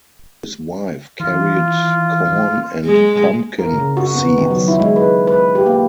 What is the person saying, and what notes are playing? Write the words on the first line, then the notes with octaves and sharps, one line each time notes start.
His wife carried corn and pumpkin seeds.
E3 F4
G#3
A#4
C#3
F#4
B3
D#3
F#3
E4
G#3
B4
B4
G4
A#3